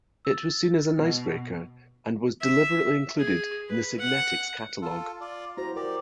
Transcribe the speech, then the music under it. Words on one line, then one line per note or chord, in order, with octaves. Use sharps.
It was seen as "an icebreaker" and was deliberately included in the Signetics catalog.
E6 A6
B2
E5
G#4
B4
F#5
F4 A4
F4 D5
E4 F#4 C5 A#5
G4 A#4 D5